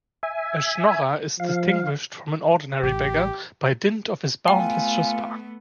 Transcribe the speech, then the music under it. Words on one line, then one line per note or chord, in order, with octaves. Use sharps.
A "schnorrer" is distinguished from an ordinary beggar by dint of his boundless chutzpah.
E5 G#5
F3 F5
A1 G4
A3 B3 F4 G5 G#5